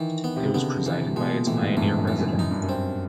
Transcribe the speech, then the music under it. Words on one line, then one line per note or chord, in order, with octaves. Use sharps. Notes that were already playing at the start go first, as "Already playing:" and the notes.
It was presided by its pioneer president.
Already playing: D#3 E3
B3
C3
C#3
D3 B3
E3
B2 G#3
A#2
A2 E3
G#2
G2 E3
F#2
E3
F#2
F#2 D#4
G2
F#2
C4